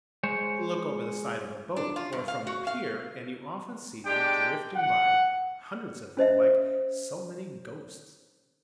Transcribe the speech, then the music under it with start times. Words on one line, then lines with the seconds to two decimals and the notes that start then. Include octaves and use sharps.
Look over the side of a boat, or from the pier, and you often see them drifting by, hundreds of them, like so many ghosts.
0.23 G#3 C5 C#5
1.76 D4
1.96 F4
2.12 G2
2.28 F5
2.47 F#4
2.67 F5
4.05 G#3 D4 G4 G5
4.75 F#5
6.17 C#4 C5 D#5 E5